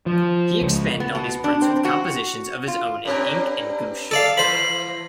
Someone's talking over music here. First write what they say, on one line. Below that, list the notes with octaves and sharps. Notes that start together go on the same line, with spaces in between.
He expanded on these prints with compositions of his own in ink and gouache.
F3
C#2
B3
B2
D4
C4
F#4
F4
G2 C4 A#4
A4 D5 F5
E3 C5 B5